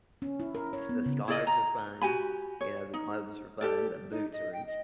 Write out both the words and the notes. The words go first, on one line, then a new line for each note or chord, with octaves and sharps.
It's the scarves are fun. You know, the gloves are fun. The boots are in sh
C#4
E4
A#4
C#5
B3
C#3
E4 G#4 D5 D#5
A#5
F#4 G4 G#5 B5
C#5
D#4
G4 A4 D5
D#4
D#5
G5
D#5